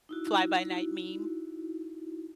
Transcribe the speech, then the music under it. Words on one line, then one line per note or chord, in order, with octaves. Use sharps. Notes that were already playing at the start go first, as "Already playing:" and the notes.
fly-by-night meme,
D#4 E4 F#4